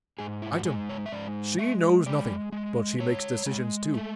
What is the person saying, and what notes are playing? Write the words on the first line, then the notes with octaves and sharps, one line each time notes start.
Item--she knows nothing, but she makes decisions, too.
G#2 G#4
E4
F#4
G#3 G#4
C#5
E5
G#2 D5
G#3 E5
G#3 D5
G#3
G#3 C#5
G#3
A3